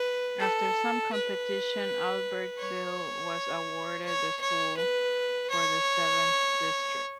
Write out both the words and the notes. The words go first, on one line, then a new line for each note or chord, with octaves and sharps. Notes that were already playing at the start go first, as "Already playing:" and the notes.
After some competition, Albertville was awarded the school for the Seventh District.
Already playing: B4
A4
B4
C#5
C#5
C#5
B4
C#5